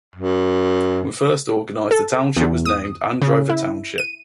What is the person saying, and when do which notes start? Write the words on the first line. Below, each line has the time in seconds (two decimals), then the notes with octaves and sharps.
When first organized the township was named Androver Township.
0.16 F#2
1.91 A4
2.37 E2
2.65 D#6
3.22 C#3
3.49 E4
3.98 D#7